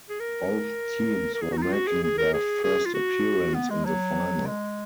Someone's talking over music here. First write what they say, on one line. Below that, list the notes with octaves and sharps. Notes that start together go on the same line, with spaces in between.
Both teams were making their first appearance in the Final.
G#4
A#4
A#4
G#4
F#4
D#4
F4
F#4
G#4
G#4
A#4
G#4
G#4
F4
F#4
B3
G#3
F#3
G#3